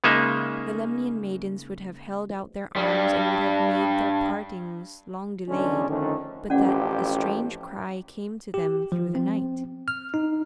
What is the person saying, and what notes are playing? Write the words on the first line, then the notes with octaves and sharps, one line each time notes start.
The Lemnian maidens would have held out their arms and would have made their partings long delayed, but that a strange cry came to them through the night.
C#3 G#3 A#3 D#4 E5
G2 G3
B1 E2 D3 G#3 C#4 D4
F2 D3 D#3 A3 C#4 D#4
A1 F2 C#4 G4 D5 F#5
G4
F3
C4
F6
D#4